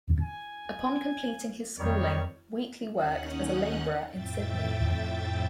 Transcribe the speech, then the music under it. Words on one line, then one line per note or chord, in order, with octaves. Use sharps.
Upon completing his schooling, Wheatley worked as a labourer in Sydney.
G#5
F2 D#3 G3 C#5
D#2 C#4 D#4 F#5 F#6
F2 A2 E5 G5 A6